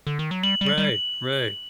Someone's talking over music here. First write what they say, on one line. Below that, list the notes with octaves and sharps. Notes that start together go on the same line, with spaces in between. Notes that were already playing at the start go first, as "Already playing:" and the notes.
Right. Right.
D3
D#3
F#3
G3 F#7
G3
F#7
G3